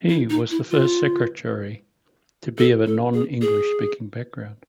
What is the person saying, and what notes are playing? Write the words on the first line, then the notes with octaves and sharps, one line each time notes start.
He was the first Secretary to be of a non-English speaking background.
E4
D#4
E4
F4
A4
A4
G#4
G#4